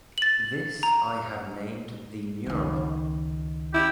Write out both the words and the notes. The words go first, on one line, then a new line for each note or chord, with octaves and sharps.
This I have named the neuron.
A6 F#7
A#5
C#2 D#3
E4 G4